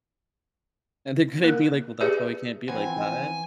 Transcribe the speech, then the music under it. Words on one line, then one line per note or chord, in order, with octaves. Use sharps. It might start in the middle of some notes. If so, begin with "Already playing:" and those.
And they're gonna be like, "Well, that's why we can't be like that."
A#3 A#4
G4 G#4 B4 D5 E5
E3 F3 C4 C#4 B4 C5 F#5 G#5